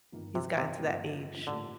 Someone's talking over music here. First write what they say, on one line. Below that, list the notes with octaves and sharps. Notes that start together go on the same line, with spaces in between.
He's gotten to that age.
G1 F2 D#3 A#3
C3
C3
G1 F2 D#3 A#3
A1 A2 D3 G3 A#3 F4